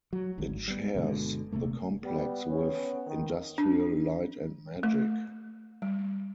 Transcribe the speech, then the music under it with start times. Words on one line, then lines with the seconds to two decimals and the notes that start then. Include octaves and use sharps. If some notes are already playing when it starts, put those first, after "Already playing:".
It shares the complex with Industrial Light and Magic.
0.13 F#3
0.38 G#1 D2 G#2
0.68 G3 B3
0.95 G1 B2 D3 G#3
1.52 D#1 C3 A3 A#3
2.04 G3 B3
2.50 C#4
3.06 D#3
3.58 D4
4.83 A3
5.82 G3